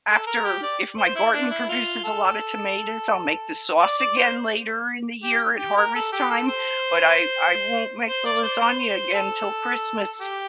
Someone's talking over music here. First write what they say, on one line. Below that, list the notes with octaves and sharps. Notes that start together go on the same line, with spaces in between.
after if my garden produces a lotta tomatoes, I'll make the sauce again later in the year at harvest time, but I I won't make the lasagna again 'til Christmas.
A4
A#4
G4
D5
C5
E4
D4
E4
F4
A4
D5
D5
C5
G4
G4
A#4
A4
G4
A4
C5
C5
D5
C5
C5
C5
A4
G4